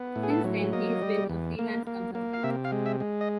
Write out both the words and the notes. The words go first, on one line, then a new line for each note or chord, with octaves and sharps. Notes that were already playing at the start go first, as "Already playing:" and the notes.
Since then, he has been a freelance consultant.
Already playing: B3
A2
G#4
A4
F#3
A#3 D#5
G3
E2
A#3
A#3
A#3
F5
C3 E5
F5
G#3
E5
G#3
D#5